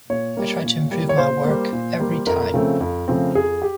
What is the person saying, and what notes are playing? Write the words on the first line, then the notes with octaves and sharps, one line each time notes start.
I try to improve my work every time.
A#2 C#5
G3 A#3
A#2
G3 A#3
C#5
A#2 C5
G3 A#3
A#2
G3 A#3
F2 A#4
C#3 F3 A3 C4
F2
C#3 F3 A3 C4
F2 G#4
G4